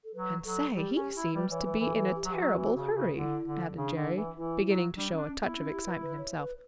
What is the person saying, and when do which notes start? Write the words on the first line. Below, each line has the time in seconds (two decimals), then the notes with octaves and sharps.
"And, say, he seems to be in a terrible hurry," added Jerry, beginning to show a touch of excitement himself.
0.04 A4
0.14 F#3 B4
0.44 F#3 A4
0.75 G3 G4
0.95 C#4
1.15 E4
1.35 G3 B4
1.51 E3 C#5
1.64 E3 B4
1.80 E3 A4
1.95 E3 A4
2.15 G4
2.25 F#3
2.29 G4
2.34 E3 F#4
2.41 F#3
2.55 E3
2.76 C#3
2.95 C#3
3.15 D3 E4
3.45 D3
3.76 C#3 D4
3.96 D3
4.16 E3
4.37 E3 E4
4.66 F#3
4.96 G3 D4
5.11 C#4
5.16 D4
5.26 C#4
5.37 E4
5.42 B3
5.57 C#4
5.71 G4
5.86 B4
6.02 B4
6.18 C#5
6.38 B4